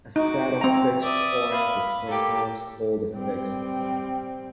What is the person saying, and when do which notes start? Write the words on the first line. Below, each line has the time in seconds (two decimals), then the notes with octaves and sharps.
A set of fixed points is sometimes called a "fixed set".
0.16 D#4 F#4 D6
0.61 C4 A#5
1.01 D5 E5 D#6
1.50 F5 B5
2.07 A#3 G4 A4
3.15 G3 C4